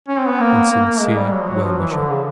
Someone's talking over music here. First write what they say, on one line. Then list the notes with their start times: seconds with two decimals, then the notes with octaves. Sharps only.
And sincere well-wisher.
0.08 C#4
0.19 C4
0.28 B3
0.40 A#3
0.71 A#3
0.85 A#3
1.00 G#3
1.17 G3
1.32 F#3
1.42 F3
1.48 F#3
1.63 F3
1.78 E3
1.94 D3
2.10 C#3